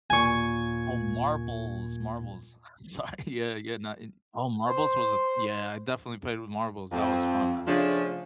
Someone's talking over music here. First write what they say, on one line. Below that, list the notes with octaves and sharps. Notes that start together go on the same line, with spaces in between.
Oh, marbles, marbles, sorry, yeah, yeah, not oh, marbles was a yeah, I definitely played with marbles, that was fun, man.
D#2 A#2 G#5 C#6
C5
F2 C4
C#3 F3 A3 C#4 D4